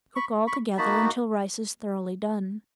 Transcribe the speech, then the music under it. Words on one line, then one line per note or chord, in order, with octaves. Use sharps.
Cook all together until rice is thoroughly done.
B5 C#6
B5 C#6
A#3 D#4 F#4 A5 B5